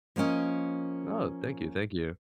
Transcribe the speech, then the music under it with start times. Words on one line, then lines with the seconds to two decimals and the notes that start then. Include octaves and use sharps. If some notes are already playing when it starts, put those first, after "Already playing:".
Oh, thank you, thank you.
0.16 F3 A#3 C4 C#4 D#5